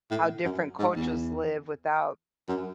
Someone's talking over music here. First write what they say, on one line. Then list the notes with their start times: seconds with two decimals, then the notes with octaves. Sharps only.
how different cultures live without,
0.11 A2
0.45 F#2
0.79 G#2
0.96 E2
2.49 F#2